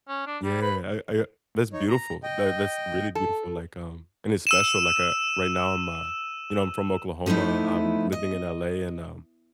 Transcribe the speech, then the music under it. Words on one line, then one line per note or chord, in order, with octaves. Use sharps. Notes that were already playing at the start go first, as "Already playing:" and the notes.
Yeah, I I that's beautiful that that's really beautiful, like, um, and it's special, like, uh, right now, I'm a you know, I'm from Oklahoma. I'm living in LA and, um,
C#4
D4
G3
B4
D#4 C#5
A#5
D#5 G5
A4
E6 D#7 E7
F3 A3 B3 D#4 E4
D#5